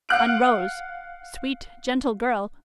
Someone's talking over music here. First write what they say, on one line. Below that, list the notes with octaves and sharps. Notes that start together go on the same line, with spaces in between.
On Rose, sweet, gentle girl!
F5 F#5 F#6 D7